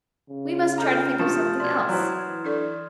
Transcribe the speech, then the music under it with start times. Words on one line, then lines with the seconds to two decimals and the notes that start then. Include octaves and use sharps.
"We must try to think of something else."
0.29 C#3
0.78 F4 A4 D#5 A#5 B5 F6 G6
1.19 C3 F3 D4 F4 D#6 A6 E7
1.60 B2 D5 C6 F6 G#6
1.89 E3 F#3 E4 C5
2.45 D4 A4 D5